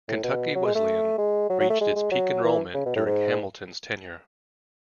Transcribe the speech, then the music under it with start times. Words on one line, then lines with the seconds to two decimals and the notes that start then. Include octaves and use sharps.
Kentucky Wesleyan reached its peak enrollment during Hamilton's tenure.
0.09 A2
0.24 B2
0.55 F#3
0.65 G#3
0.75 A3
1.18 G#3
1.49 F#3
1.60 F#3
1.70 A3
1.81 G#3
1.96 G#3
2.12 F#3
2.44 E3
2.74 C#3
2.86 B2
2.96 A2
3.06 G#2